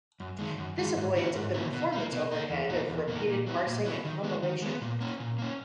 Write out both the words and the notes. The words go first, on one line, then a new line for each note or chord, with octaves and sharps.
This avoids the performance overhead of repeated parsing and compilation.
F#2
D#3 G#3
F#2
D#3 G#3
G#2
D#3 A#3 C#4 E4
G#2
D#3 A#3 C#4 E4
B2
A#3 D#4
B2
A#3 D#4
E2
B2 A#3 D#4
E2
B2 A#3 D#4
A#2
F#3 B3 E4
A#2
F#3 B3 E4
D#3
G#3 B3
D#3
G#3 B3
A#2
A#3 C#4
A#2
A#3 C#4